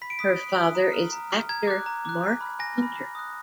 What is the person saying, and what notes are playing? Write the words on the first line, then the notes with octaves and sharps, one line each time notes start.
Her father is actor Mark Pinter.
B5 B6
D7
D#6 F#6 B6
B5
D#6 F#6
A#5
F6
A#5
F6
A#5 G#6
D6 F#6
A#5
D6 F#6
G#5
B5 F6
G#5 A#6
B5 F6
G#5
D#6 F#6